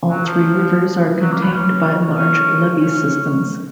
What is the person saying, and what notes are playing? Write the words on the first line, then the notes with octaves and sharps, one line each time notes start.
All three rivers are contained by large levee systems.
F#3
F3
F#3
A#3
B3
C#4
C#4
C#4